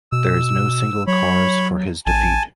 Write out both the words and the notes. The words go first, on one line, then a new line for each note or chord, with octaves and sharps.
There is no single cause for his defeat.
B2 E6
F#3 C#5 B5
A1 G#5 A5